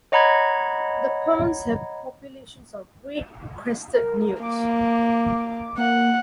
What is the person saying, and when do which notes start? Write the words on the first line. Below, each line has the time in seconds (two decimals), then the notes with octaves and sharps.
The ponds have populations of great crested newts.
0.12 C#5 D#5 F#5 A#5 B5 G#6
3.95 A#4
4.42 A#3 D6
5.78 A#3 F#5